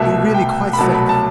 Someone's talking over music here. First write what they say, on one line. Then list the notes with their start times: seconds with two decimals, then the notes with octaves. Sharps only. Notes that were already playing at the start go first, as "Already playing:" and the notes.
You're really quite safe.
Already playing: C2 B2 A3 E5
0.34 G5
0.73 B5
0.78 C2 B2 F#3 A3 A5
0.94 B5
1.09 A5